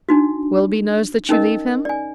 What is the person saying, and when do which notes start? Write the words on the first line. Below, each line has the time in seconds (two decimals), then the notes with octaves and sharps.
"Willoughby knows that you leave him?"
0.09 D4 D#4 F#4
1.29 C#4 D#4 A#4 D#5
1.85 D5 G#5